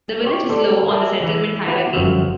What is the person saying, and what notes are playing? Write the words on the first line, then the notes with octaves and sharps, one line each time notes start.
The village is low on the settlement hierarchy.
G4 C5 C#5
A4 C5 D5
G#4 A#4 D5 E5 A5
E3
B3 E4 G4
G1 F#2 F3 F#3